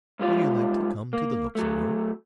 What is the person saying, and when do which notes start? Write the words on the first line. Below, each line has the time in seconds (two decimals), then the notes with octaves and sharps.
"Would you like to come to the Luxembourg?"
0.19 G#2 G3 G#3 F4
1.13 A#3
1.55 F#3 A3